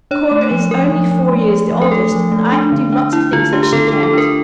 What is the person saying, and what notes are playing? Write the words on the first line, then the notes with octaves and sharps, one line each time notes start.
Cora is only four years the oldest, and I can do lots of things that she can't.
D4 C#5
A3
C#5
F3
F3 A#4
F3
F3
A3
A3
F3
A#4
A3 A4
F3
A3
D4
D3
D4
D4 E4
D3 F4
D4 G4
G4
D3 A4
A4
D4
A4
D4 A#4